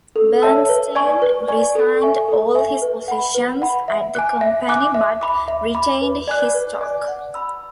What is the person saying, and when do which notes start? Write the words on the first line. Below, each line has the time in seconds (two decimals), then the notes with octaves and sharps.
Bernstein resigned all his positions at the company but retained his stock.
0.16 A4
0.42 C#5 E5 A5 E6
0.69 B4
0.95 D5 G#5 C#6
1.22 B4
1.48 D5 G#5 C#6
1.75 A4
2.02 E5 G#5 C#6
2.28 A4
2.55 E5 G#5 C#6
2.82 B4
3.08 F#5 B5
3.35 B4
3.62 F#5 B5
3.88 E5
4.15 G#5 D6 F#6
4.41 E5
4.68 G#5 D6 F#6
4.94 E5
5.21 B5 D6
5.48 E5
5.75 B5 D6
6.01 B4
6.28 D5 G#5 D6 F#6
6.54 B4
6.81 D5 G#5 D6 F#6
7.08 F#5
7.34 B5 E6